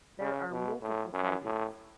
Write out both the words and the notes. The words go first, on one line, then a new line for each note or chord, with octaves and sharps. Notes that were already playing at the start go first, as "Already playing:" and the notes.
There were multiple sightings.
C#3
B2
A2
F#2
A2